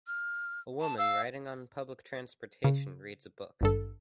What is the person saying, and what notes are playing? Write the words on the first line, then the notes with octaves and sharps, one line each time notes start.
A woman, riding on public transportation, reads a book.
F6
A5
F5 E6
C#3
G#1 G2 A4